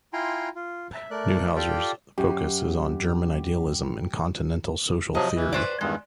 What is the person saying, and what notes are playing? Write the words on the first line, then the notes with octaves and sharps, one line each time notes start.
Neuhouser's focus is on German Idealism and continental social theory.
E4 F4 G5 G#5 A#5 C6
F4
E5
A3 A#4 D5 F#6
F4 G4 A4 D5 G5
F#2 G4
C3 F3 F#3 D#5
E3
B4 C5 D5
E2 G2 D#3 G#3